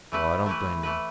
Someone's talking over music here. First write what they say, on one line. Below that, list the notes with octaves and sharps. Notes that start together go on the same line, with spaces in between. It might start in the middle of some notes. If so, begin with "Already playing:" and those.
Well, I don't blame you.
E3 A3 E4 B4
E3 A3 E4 B4
E3 A3 E4 B4